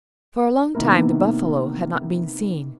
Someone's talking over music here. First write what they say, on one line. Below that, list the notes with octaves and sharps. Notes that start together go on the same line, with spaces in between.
For a long time the buffalo had not been seen.
C3 D#3 A#3 B3 E4 A#4